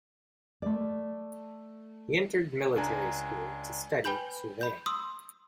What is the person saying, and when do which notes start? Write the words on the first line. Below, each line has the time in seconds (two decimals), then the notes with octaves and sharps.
He entered military school to study surveying.
0.62 A3 D5
2.76 C#2 D4 G#5 A#5
4.04 B4 G5 G#5 B5 G6 F#7
4.61 B5 G6
4.86 C6 D#6 E6